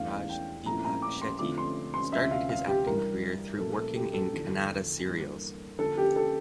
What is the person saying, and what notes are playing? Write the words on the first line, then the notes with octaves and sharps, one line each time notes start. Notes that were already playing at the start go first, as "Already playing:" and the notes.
Raj Deepak Shetty started his acting career through working in Kannada serials.
Already playing: E2 E3 A3 D4 F5
F5
G5
A#2 F3 A3 C4 E4 A#5
A#5
D6
C6
D3 F3 A3 C4 F4 D6
C6
C6
D2 C3 F3 C4 F4 E5
F5
F5
G4
G2 E3 G3 A#4
A#2 F3 A3 A4
A4
G4
A4
E2 D3 F3
G2 E3 A#3
D3 F3 A#3 F4 A4
G4
A4